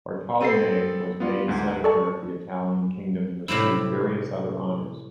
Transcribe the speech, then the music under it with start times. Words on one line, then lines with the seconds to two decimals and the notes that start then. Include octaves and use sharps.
Bartolommei was made senator of the Italian kingdom and received various other honors.
0.41 B3 C4 A4 C7 D#7
1.20 B3 F4 D5
1.48 D2 G#2
1.84 A4 D5 A5 C#6
3.48 A2 C3 G3 E4